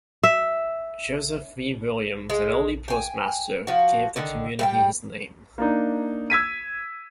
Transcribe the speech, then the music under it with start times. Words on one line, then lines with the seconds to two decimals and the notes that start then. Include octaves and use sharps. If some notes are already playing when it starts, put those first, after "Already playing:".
Joseph V. Williams, an early postmaster, gave the community his name.
0.23 E5
2.30 G#3
2.88 G5 G#5
3.67 F3 F#4
4.16 D3 D#3
4.59 G3 E5 G5
5.58 A#3 D4 D#4
6.30 E6 G#6 B6 D#7